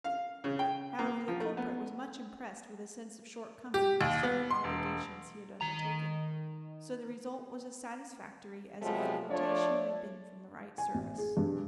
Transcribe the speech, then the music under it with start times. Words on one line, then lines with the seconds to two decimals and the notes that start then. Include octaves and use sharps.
However, the culprit was much impressed with a sense of shortcoming as to the obligations he had undertaken; so the result was as satisfactory as if the quotation had been from the right service.
0.04 F5
0.44 C#3
0.59 G5
0.99 A#3
1.28 F3
1.40 A3
1.57 B3
3.74 G4
4.01 D#2
4.23 B3
4.51 C6
4.64 E1
5.61 D#3 A#5
8.81 C3 F3 F#3 G#3 A3 B3
9.30 F3 A3 D4 C#5 D5
10.78 G#5
10.95 A1
11.18 G#4
11.37 G2